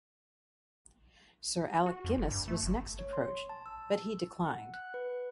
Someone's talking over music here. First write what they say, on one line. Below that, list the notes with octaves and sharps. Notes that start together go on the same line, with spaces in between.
Sir Alec Guinness was next approached but he declined.
F#4
F2
F#1
G2
A3
G1
C#5
C6
A5
E6
F#5
F#6
B4